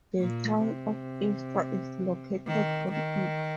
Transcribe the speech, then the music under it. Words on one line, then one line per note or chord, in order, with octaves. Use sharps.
The town of Istra is located on it.
A#2
C3
D#3
D#3